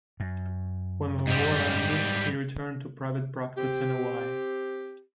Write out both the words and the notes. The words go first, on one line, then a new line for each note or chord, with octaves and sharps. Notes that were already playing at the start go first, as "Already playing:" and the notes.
When the war ended he returned to private practice in Hawaii.
F#2
G#2 G3
C4 G4